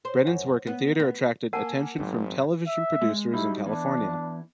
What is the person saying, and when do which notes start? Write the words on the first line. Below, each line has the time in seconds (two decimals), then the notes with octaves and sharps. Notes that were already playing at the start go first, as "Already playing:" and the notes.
Brennan's work in theatre attracted attention from television producers in California.
0.05 C5
0.27 F#2
0.67 B3
1.00 B3
1.53 A#3 A#4 F#5 G#5 A5
1.98 G#1 G#2 F#3 A3 C4
2.67 E5
3.02 G#3
3.33 F#3 G3 D#4 E4
3.66 E3 B3 D4